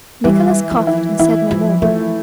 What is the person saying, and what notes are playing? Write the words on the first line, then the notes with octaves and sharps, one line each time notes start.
Nicholas coughed and said no more.
E3 G3
F3
E4
E3 E4
F3
F3 A3